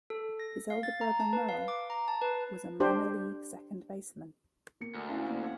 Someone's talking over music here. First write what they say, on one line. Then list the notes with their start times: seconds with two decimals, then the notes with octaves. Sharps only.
His elder brother, Merle, was a minor league second baseman.
0.10 A4
0.40 A#6
0.70 F5
0.83 A6
1.01 A#5
1.20 A5
1.33 B4
1.49 F5
1.68 D6
1.90 A#5
2.08 A5
2.22 B4
2.80 D4 G4 C5
4.81 A#3 C#7
4.94 D2
5.09 C#4 E4 F5 A5
5.26 F2 A#3
5.42 C#5 F#5